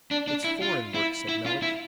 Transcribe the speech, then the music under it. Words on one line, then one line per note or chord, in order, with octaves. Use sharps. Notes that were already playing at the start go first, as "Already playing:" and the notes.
"It's foreign work," said Melick.
D4
D4
E4
F4
E4
E4
F4
E4